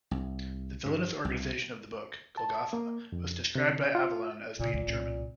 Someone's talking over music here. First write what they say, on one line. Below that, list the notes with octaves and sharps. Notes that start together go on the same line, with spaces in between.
The villainous organization of the book, Golgotha, was described by Avallone as being German.
C2
G2
C2
A5
A#3
F2
C3
F4
A#2 C#3
A1 D2 A#2
C2 A2